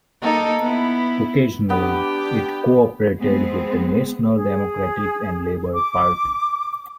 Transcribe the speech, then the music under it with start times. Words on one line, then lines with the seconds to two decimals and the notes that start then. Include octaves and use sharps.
Occasionally, it co-operated with the National Democratic and Labour Party.
0.21 A#3 D#4 A4
0.61 B3 E4
1.70 B3 D4 G4
3.20 G#3 B3 C4 G#4
4.34 G#4
5.74 D6